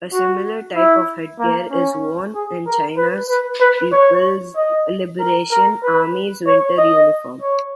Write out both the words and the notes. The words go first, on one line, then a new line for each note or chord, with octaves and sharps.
A similar type of headgear is worn in China's People's Liberation Army's winter uniform.
F#4
E4
A#3
C#4
G#4
A#4
B4
B4
B4
C#5
D#5
A#4
A#4
B4
C#5
D#5
C#5